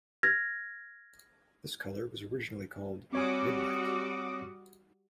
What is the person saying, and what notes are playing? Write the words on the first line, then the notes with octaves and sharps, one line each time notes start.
This color was originally called "midnight".
F6 G#6 A#6
G3 C4 F#4 C#5 G#5 D6 D#6